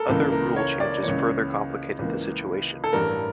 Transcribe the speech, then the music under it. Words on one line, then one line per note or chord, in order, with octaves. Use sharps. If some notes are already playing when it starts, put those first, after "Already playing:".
Other rule changes further complicated the situation.
Already playing: A4 A#4
C#2 C#3 E3 A#3
A#4
C#5
D5
C#2 C#3 E3 A#3 C#5
C#2 C#3 E3 A#3
A4
A1 G2 E3 A#4